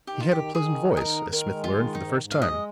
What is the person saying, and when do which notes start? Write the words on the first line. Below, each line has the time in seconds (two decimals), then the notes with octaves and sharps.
He had a pleasant voice, as Smith learned for the first time.
0.07 D#3 G4
0.20 F4
0.31 D#3 G4
0.55 D#3 G#4
0.78 D#4
0.97 G#4
1.01 D#3 A#4
1.25 D#3
1.33 A#4
1.47 G#3
1.64 F4
1.71 D#3
1.95 G#2 D#4
2.18 G#2
2.32 F5
2.42 G#3 D#5